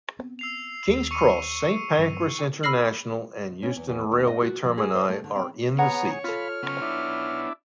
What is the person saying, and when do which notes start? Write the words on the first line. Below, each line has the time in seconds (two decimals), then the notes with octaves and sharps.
King's Cross, Saint Pancras International and Euston railway termini are in the seat.
0.19 B3 C4
0.39 E6 C7 F7
0.88 D#2
1.11 C#6 C#7 D#7
1.98 G2 F#3 C4
2.63 B5 E6 F6 A#6 C7 F#7
3.63 C#4
3.76 E2
3.89 E2
4.12 D#2
4.27 D#5
4.42 F#4
4.64 F3
4.78 G#4
4.95 C5
5.09 A3
5.24 D3
5.36 C4
5.79 B3 G#4 C#5 F#5 A#5
6.24 F4 A4 F5 B5 F6
6.63 C#3 B3 C#5
6.82 D4 E4